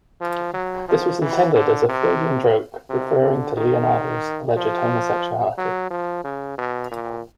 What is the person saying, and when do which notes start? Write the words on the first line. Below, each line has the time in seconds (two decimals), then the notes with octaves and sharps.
This was intended as a Freudian joke, referring to Leonardo's alleged homosexuality.
0.21 F3
0.54 F#3
0.88 F3
1.21 E3
1.55 D3
1.89 C3
2.89 C3
3.22 D3
3.56 D#3
4.56 F3
5.57 F#3
5.90 F3
6.24 C#3
6.58 B2
6.91 A#2